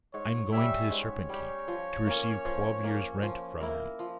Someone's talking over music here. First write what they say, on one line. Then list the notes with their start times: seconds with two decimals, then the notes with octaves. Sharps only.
'I am going to the Serpent King to receive twelve years' rent from him.'
0.13 G#2 C#5
0.52 G3 C#4 G4 E5
0.91 G#2 C#5
1.29 G3 C#4 G4
1.68 F3
2.06 A#3 C#4
2.45 F3
2.84 A#3 C#4
3.22 F3
3.60 A#3 E4 A#4
3.99 F3